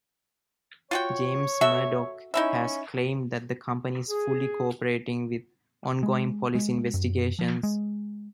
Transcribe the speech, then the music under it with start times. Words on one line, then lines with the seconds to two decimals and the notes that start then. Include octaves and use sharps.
James Murdoch has claimed that the company is fully co-operating with ongoing police investigations.
0.91 F4 F#4 C#5 G5
1.61 F#4 A4 E5
2.34 C#4 D#4 E4 E5
4.09 G#4
6.03 G#3
6.55 G#3
6.94 F#2
7.39 F3
7.63 G#3